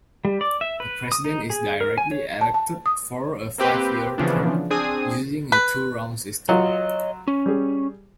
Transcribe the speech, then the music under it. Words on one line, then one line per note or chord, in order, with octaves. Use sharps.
The President is directly elected for a five-year term using a two-round system.
G3
D5
E5
B4
D#6
D#4
G#4
A#4
G#5
C#5
A5
A5
D#6
A#3 C4 G4 B4
C#3 E3 F3 B3 D4
C4 D4 G#4 G#5 D#6 D#7
B4
F#3 F4 C#5 D#5
C#4
G3 G#4